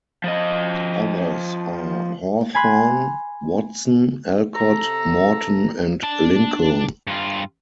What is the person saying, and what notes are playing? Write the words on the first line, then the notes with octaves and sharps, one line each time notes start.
Others are Hawthorne, Watson, Alcott, Morton, and Lincoln.
F3 D#5
G#5 B5 C6 F#6
C3 A4 A#5
D4 A5
G2 F4